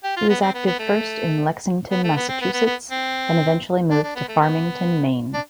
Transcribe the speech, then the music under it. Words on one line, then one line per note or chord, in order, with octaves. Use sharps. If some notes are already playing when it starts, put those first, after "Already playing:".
He was active first in Lexington, Massachusetts, then eventually moved to Farmington, Maine.
G4
F4
B3
C4
B3
B3
A3
B3
A3
B3
C4
B3
B3
B3
C4
D4
D4
B3
A3
B3
D4